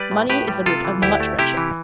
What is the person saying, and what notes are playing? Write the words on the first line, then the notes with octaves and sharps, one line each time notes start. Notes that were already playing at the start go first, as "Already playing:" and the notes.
Money is the root of much friendship.
Already playing: G3 B4 D5
A2
A2 G4 B4
G3
C3 F4 A4
E3
D2 E4 G4
A3
C3 E4 G4
E3